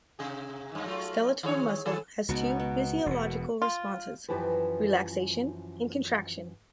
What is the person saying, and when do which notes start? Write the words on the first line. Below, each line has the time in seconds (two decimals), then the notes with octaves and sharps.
Skeletal muscle has two physiological responses: relaxation and contraction.
0.19 C3 G#4
0.72 G2 D#3
0.86 F#3 A3 F4
1.43 D#3 G#4 C#5
1.85 D#3 G#4 A4
2.29 C#2 B2 B3 D#4
2.60 B3
3.06 E1 B2
3.62 F4
4.29 F#2 E3 F3 G4 B4